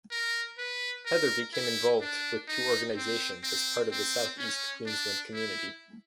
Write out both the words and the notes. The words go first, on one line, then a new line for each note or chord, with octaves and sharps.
Heather became involved with two organisations as part of the South East Queensland community.
A#4
B4
A#4
E4
D4
D#4
C4
C4
C4
C#4
D4
E4